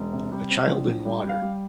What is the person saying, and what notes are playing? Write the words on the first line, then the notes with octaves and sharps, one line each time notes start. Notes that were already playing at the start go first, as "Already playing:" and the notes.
A child in water.
Already playing: E1
C3
G3
C4
A#1
A#1
G3
G3
F5
G3